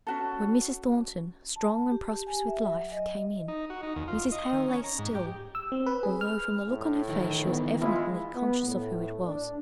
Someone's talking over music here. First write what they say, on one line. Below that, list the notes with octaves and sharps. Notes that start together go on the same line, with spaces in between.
When Mrs. Thornton, strong and prosperous with life, came in, Mrs. Hale lay still, although from the look on her face she was evidently conscious of who it was.
C#4 F#4 A4
A5
G4
G#5
E5
F#3
D#5
D#4
F#4
D#4
D#2
F4
D#5
D#3
C#4
A#5
G#2
G4
E6
C4
B4
G#4
F6
A2
D#3 E3
B3
G#3 E4 F4
B3
A2
D4